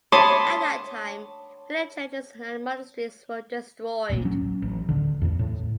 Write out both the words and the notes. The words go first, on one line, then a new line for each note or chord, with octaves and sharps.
At that time many churches and monasteries were destroyed.
C#5 A5 B5 C6 D6 D#6
D1 A1 A#2
F#3 C#4
A1
D1 D3
A1 E2
A2